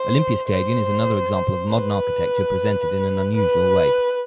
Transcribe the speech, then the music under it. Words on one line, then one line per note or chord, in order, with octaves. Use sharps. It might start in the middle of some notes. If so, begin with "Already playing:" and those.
Olympiastadion is another example of modern architecture presented in an unusual way.
Already playing: C5
C5
B4
B4